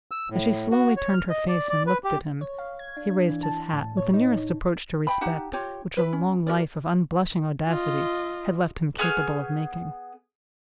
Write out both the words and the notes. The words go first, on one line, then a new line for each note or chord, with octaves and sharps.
As she slowly turned her face and looked at him, he raised his hat, with the nearest approach to respect which a long life of unblushing audacity had left him capable of making.
E6
A2
F#4
C#5
F6
D#5
D5
D5
B4
G4
C#5
F5
G#6
D4
E3
A5
A2
C#5
D#4
G5 B5
D#4 G4 F#5 A5
F4 G4 C#5
E4 B4
C#4
F#4 A#4 D5
F4 D#5
B3 G#4 C#6 F6